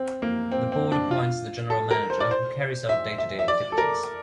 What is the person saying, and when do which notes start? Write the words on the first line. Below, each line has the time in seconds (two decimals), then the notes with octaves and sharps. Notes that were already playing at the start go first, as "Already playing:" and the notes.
The board appoints the general manager, who carries out day-to-day activities.
Already playing: C4
0.22 A#3
0.52 C4
0.72 C4
0.92 D4
1.11 F4
1.70 A4
1.91 A#4
2.10 C5
2.20 D5
2.31 C5
2.89 E5
3.18 E5
3.39 E5
3.48 D5
3.72 A4
3.78 A#4